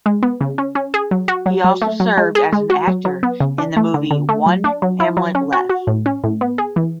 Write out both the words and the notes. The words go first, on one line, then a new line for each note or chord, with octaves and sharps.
He also served as an actor in the movie "One Hamlet Less".
G#3
B3
C#3
C#4
C#4
G#4
F#3
F#4
F#3
F#3
A3
F#3
G#3
G#4
G#3
F#4
F#3
F#3
B3
C#3
D4
A3
D3
D3
A3
F#3
D4
F#3
E4
F#3
C#4
F#4
F#4
A2
C#4
A2
B3
G#4
E3